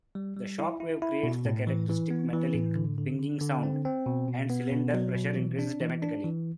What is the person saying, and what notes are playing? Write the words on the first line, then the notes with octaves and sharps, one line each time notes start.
The shock wave creates the characteristic metallic "pinging" sound, and cylinder pressure increases dramatically.
G3
G3
E4
E4
E4
B2
A2
E3
E3
B3
E3
A2
D3
D3
D3
D3
C4
C4
B2
B2
B3
B2
F#3
B2
E3
D4
E3
D4
E3